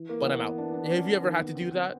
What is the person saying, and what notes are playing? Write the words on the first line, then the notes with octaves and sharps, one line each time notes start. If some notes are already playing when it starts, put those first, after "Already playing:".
but I'm out." Have you ever had to do that?
Already playing: E3
A#3
B3
D4
D4
D4
C#4
C#4
D#3 A#3
B3
D3 C4
C4